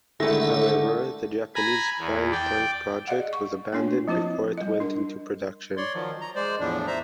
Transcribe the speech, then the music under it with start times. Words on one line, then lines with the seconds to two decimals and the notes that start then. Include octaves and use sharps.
However, the Japanese Flying Tank project was abandoned before it went into production.
0.20 D3 D#3 G#3 A3 E4 A4 E5 A#6
1.55 G#5 A#5 B5
2.00 E2
2.32 D5 G5
3.07 G#4 D5 D#5 F5 F#5
3.33 C#6
3.73 A3 A#3 D4 C#5
4.08 F3 C4 E4 F4 C5
4.58 G3 D#5
4.80 D4 A#4
5.77 C#5 D5 C6
5.94 D#3 F3 F#3
6.21 A#5
6.35 G#3 C5 D5
6.60 E2 A2 F3 D4
6.87 C5 E5 A#5